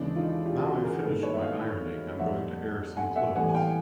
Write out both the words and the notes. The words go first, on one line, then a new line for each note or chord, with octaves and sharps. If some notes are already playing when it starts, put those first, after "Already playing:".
Now I've finished my ironing, I'm going to air some clothes.
Already playing: D#2 C#3 E3 G#3 D4 E4
D#4 F4
F4 G4
F#4 G#4
G#4 A#4
G#2 D#3 G3 A#3 A4 B4
B4 C#5
E5
D#5 F5
F2 D3 G3 A#3 E5 F#5
F#5 G#5
E5 F#5
A2 E3 G3 F#5 G#5
G#5
F5 G5